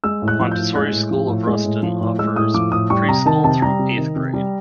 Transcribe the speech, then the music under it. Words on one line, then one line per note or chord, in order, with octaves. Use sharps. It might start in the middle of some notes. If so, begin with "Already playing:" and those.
Montessori School of Ruston offers preschool through eighth grade.
G#3 E6
A2
F#6
F3
G6
A2
G#3 F#6
A2
F3
A2
G#3
A2
F3
A2
G#3 E6
A2 D#6
F3 D6
A2 D#6
G3 C#6
C3 A#5
D#3 A5
C3 A5
G3 A#5
C3
D#3
C3
G3